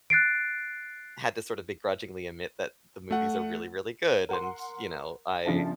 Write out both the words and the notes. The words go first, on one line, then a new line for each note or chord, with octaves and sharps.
had to sort of begrudgingly admit that the movies are really, really good. And, you know, I
F#6 A6 C7 D7
A3 F#5
A#4 F#5 C6
G1 C#3 F3 D4 E4 A5